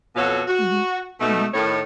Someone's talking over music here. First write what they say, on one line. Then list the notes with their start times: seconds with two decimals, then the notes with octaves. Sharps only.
Mhm, mhm.
0.16 F2 B2 F#4 A4 C#5 F5
0.48 F#4
1.20 B2 A3 D#4
1.54 A2 D#3 C#5